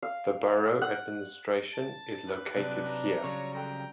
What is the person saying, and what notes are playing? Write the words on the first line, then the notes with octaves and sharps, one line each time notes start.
The borough administration is located here.
F5
F#5
A5
D#2 B4
C3 F#3 D4 G#4 D5
A#5
C#3 F#3 G3 F4 C#5
F2 G5 A#5